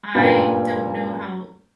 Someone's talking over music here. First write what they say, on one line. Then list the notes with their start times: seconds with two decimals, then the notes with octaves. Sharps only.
I don't know how
0.15 F#1 G2 A#2 A#4 B4 G5